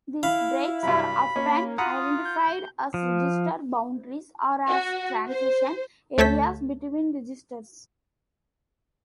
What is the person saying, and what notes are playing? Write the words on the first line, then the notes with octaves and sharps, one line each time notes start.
These breaks are often identified as register boundaries or as transition areas between registers.
E4 F5 B5
G2 C3 F#3 B5
A#3 C#4
F4 F#5 A#5 B5 D#6
G6
F3
F#4
C5
D2 A3 C#5 A5 G6 B6